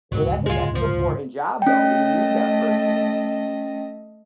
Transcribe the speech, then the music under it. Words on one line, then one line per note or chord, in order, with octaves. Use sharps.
Eh, ga hey. That's an important job, though. We need that person.
D1 G1 C#2 F#3
G#3 F4
F3
A3 C#4 D#5 G5